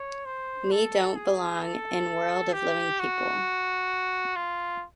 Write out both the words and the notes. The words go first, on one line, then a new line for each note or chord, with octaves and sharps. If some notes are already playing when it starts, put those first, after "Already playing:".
Me don't belong in world of living people!
Already playing: C#5
C5
A4
G#4
A4
G4
F#4
F4